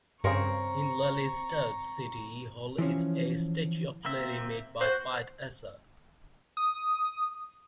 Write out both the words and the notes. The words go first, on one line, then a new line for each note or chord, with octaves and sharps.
In Lelystad's city hall is a statue of Lely made by Piet Esser.
G2 C#3 C4 A#4 C#5 A#5 C#6
E3 F3 C#4
A#3 C4 E5
F#4 C5
D#6